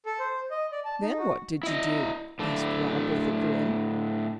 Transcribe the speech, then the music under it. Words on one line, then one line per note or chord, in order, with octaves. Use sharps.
"Then what did you do?" asked Rob, with a grin.
A4
C5
D#5
D5
A5
D#4
F#4
E4 D#5
A2 A3 D4